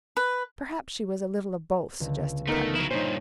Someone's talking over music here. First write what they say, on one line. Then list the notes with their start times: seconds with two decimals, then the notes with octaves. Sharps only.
"Perhaps she was a little of both," suggested Putney.
0.17 B4
2.00 C#2 D3
2.47 A3 B3 D#4 A#4
2.75 F#3 E4 C7
2.91 G2 A#2 D#4 C5 C#5